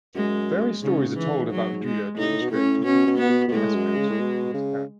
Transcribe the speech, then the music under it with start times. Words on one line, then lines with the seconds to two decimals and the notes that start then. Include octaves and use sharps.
Various stories are told about Judah to illustrate different aspects of his character.
0.15 F#2 G#3
0.82 G#2 C#3
1.16 E3
1.51 F#3
1.84 G#3
2.17 A2 D#4
2.42 B2
2.51 A2 C#4
2.85 B2 C#4
3.07 B2
3.18 B3
3.29 B2
3.48 B2
3.52 A2 G#3
3.74 F#2
3.98 C#3
4.10 A2
4.20 B2
4.54 C#3